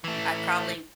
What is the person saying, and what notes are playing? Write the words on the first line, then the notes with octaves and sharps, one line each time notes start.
I probably
E3 A3